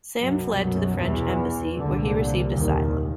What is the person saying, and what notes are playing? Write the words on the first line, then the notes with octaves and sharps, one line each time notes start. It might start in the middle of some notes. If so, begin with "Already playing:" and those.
Sam fled to the French embassy, where he received asylum.
C2 F#2 B2 F#3
F#2 F#3
E2 E3
C2 A#2 D3
D#2 D#3